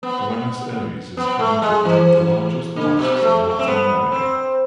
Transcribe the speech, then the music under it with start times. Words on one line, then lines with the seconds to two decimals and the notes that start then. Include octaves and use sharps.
Buenos Aires is home to one of the largest mosques in Latin America.
0.03 B3
1.17 B3
1.39 A3
1.62 G#3
1.85 E3
2.76 D3
2.99 B2
3.22 A3
3.44 A3
3.59 C4
3.67 B3
4.12 C4